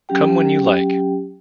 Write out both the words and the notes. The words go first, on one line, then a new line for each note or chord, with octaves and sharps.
Come when you like.
F#3 C#4 G4 G5